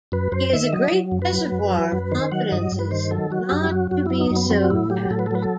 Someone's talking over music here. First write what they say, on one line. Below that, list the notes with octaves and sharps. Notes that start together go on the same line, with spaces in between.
He is a great reservoir of confidences, not to be so tapped.
F#2 B4
F#2 C5
D#3 E5
F#3 D#5
F#3
F#2
B4
F#3
F#2
F#3
F#2
D#3 C5
F#3 F#5
G2 D#5
G2
B4
D#3 C5
F#3 A4
F#3 F#4
F#2 G4
F#3 F#4
F#2 F#4
F#3 E4
D#4
F#2
B3
F#3 C4
F#4
A2 E4
F#3 G4
A2 A4
B4
A4
F#3 B4
A4